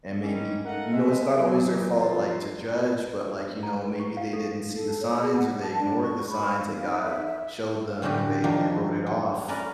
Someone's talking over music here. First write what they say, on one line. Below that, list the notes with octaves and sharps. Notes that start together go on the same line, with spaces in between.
and maybe you know, it's not always their fault, like, to judge, but, like, you know, maybe they didn't see the signs, or they ignored the signs that God showed them, or they they wrote it off
D#3 E3 F#3 C#4
A3 A#4 D#5 F5 F#5
G#3 C4 G#4 D#5 E5
E3 F#3
B2 F3 F4
A#5
B4
C#6
F5
A4
A4
C#5
G#4
F#5
A5
D4
C#6
B5
F5
D#4
E5
E5
A2 D3 C#4 F#4 G4
F2 D#3 F3 F#3 D4
F#3
C#4 A#4 B4 D5